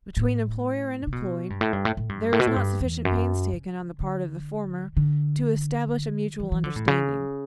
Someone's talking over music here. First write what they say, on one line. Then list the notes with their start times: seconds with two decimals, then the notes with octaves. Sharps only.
Between employer and employed there is not sufficient pains taken on the part of the former to establish a mutual understanding.
0.17 A2
1.07 C#3
1.12 B2
1.50 G2
1.61 A2
1.73 G2
1.85 A2
1.97 A2
2.09 G2
2.33 A2
2.40 B2
2.47 A2
2.56 G2
2.81 E2
3.05 F#2
3.52 C#3
4.00 D3
4.97 D3
6.40 E3
6.52 E3
6.64 D3
6.76 A2
6.88 C#3